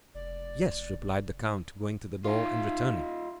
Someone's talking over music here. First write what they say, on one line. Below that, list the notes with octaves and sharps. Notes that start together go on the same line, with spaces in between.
"Yes," replied the count, going to the door, and returning.
F1 D5
D#4 F4